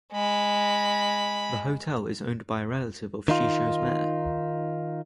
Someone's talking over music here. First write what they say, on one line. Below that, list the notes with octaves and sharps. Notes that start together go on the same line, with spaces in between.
The hotel is owned by a relative of Shishou's mayor.
G#3 B5
D#3 D#4 F4